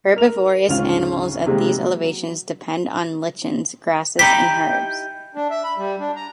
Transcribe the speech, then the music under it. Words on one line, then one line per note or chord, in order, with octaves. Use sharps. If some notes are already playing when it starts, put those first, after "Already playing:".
Herbivorous animals at these elevations depend on lichens, grasses, and herbs.
A#4 F7
D2 G#2 C#3 C#4 F4 F7
C3 D#3 G3 G#3 A#3 C4
F#3
D#4 E4 G4 G5 B6
D4
E5
B5
G3
D4
A#5